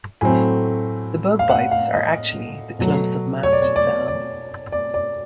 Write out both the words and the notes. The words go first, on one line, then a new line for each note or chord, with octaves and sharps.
The bug bites are actually the clumps of mast cells.
A2 F#3 A3 C4 G#5
F5
F#5
F5
D#5
B2 F#3 A3
C#5
D5
C#5
D5
D5
D5
D5